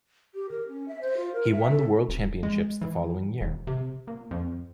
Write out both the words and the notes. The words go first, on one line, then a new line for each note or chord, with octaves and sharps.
He won the World Championships the following year.
G4
A#4
C#4
E5
C5
F4
A#4
E5
A4
D#1
G#3
E3
E1
C3
A#2
F2